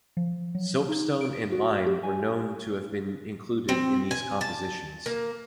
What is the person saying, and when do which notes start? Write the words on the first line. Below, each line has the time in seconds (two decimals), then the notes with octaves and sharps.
Soapstone and lime were known to have been included in these compositions.
0.17 F3
0.55 F#3
0.89 D#4
1.21 D7
1.52 F#4
1.86 G4
2.03 G#5
3.69 C4
4.11 G#5
4.41 A5
5.06 A#3